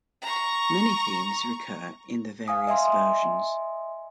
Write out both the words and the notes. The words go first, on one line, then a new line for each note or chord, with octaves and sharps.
Many themes recur in the various versions.
A#5 C#6
F5 G#5 D#6
D#5 E5 G#5 C6